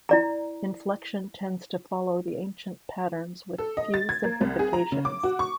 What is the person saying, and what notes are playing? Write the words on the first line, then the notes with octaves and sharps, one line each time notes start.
Inflection tends to follow the ancient patterns with few simplifications.
E4 D5 A#5
A4
D#5
A6
G#6
A#3
C2
G#4
A#5
C#3
D6
F#4
C#6